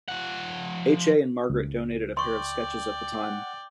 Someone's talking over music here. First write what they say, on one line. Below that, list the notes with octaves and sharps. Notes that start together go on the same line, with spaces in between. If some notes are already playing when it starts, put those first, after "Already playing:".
H. A. and Margret donated a pair of sketches at the time.
F3 F#5
C#2
D5 G5 C6 C#6
F#5